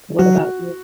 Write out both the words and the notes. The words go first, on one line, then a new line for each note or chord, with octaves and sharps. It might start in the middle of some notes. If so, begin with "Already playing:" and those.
what about you?
F#3 F#4